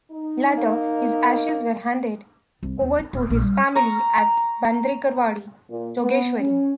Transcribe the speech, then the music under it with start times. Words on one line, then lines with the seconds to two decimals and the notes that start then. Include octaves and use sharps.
Later, his ashes were handed over to his family at Bandrekarwadi, Jogeshwari.
0.12 D#4
0.58 A#3
2.63 C2
2.81 D#2
2.99 D#4
3.13 D1
3.30 A#1
3.41 G3
3.75 A#5 C#6
5.70 A#2
6.01 B3
6.39 C#4